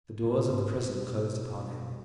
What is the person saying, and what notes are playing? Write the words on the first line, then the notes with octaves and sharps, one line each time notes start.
The doors of the prison closed upon him.
A#2
G#2
B2